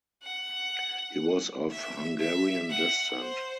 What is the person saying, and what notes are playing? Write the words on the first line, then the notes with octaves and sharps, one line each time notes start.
He was of Hungarian descent.
F#5
E5
E5
F#5
C5